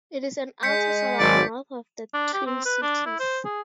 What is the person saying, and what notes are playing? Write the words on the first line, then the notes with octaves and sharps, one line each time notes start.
It is an outer suburb north of the Twin Cities.
G#3 G6 B6 C#7
G#1 D#3 F#3 D5
D4
G4
C4
B4
D4
E4
C5
G#4